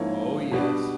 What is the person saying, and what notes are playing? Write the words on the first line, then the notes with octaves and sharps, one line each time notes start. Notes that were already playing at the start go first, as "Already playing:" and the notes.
Oh yes.
Already playing: G#2 F3 A#3 C#4 E4
B2 G3 B3 D4